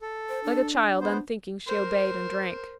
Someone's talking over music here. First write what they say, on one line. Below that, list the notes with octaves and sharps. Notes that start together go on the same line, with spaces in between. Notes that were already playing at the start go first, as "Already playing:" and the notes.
Like a child, unthinking, she obeyed and drank.
A4
C5
D4
B3 C5
A#4 C5